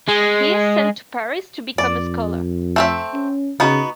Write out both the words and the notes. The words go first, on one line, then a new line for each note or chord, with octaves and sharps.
He is sent to Paris to become a scholar.
G#3
F2 D5
A3 C4 E5
C#4
C#3 B3 D#4 F#4